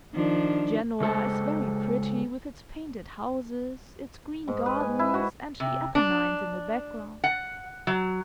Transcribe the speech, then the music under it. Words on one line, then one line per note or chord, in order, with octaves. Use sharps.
Genoa is very pretty with its painted houses, its green gardens and the Apennines in the background!
D#3 F3 D4
C#3 G#3 A4 C5 A5
G#2
B4
G#5
E4
F#4
C3
D4
F#5
F#3